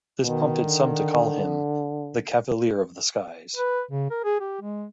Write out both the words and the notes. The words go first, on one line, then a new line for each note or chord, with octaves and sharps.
This prompted some to call him, "The Cavalier of the Skies".
B2 D#3
D3
B4
C#3
A#4
G#4
G4
G#3